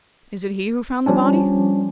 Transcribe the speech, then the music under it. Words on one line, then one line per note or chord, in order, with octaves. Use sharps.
'Is it he who found the body?'
F3 G3 C#4 D4